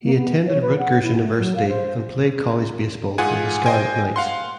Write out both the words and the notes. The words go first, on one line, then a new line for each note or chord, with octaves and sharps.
He attended Rutgers University and played college baseball for the Scarlet Knights.
A#3
B3
C#5
B4
F#5
E4
A3
F#3
F5
C5
G#2 F4 G#4 F#5 G#5
C5 D#5 G5 G#5
F5 F#5 C6